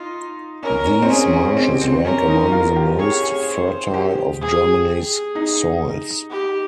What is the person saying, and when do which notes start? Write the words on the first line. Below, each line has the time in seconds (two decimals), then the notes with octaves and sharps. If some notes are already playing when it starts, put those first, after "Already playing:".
These marshes rank among the most fertile of Germany's soils.
Already playing: D#4 F4
0.63 C#4 A#4
0.86 C#4
1.02 C4
1.09 C#4 G#4
1.33 C#4
1.57 C4 G4
1.81 C4
2.04 C#4 A#4
2.28 D#4
2.52 F4
2.76 G4
2.99 G#4 C#5
3.11 G4
3.23 G#4
3.47 C5
3.94 G4
4.41 G#4
4.89 G#4
5.35 D#4
6.30 G4